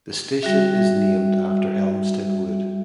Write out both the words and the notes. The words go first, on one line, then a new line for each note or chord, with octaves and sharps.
The station is named after Elmstead Wood.
G3 F#4 E5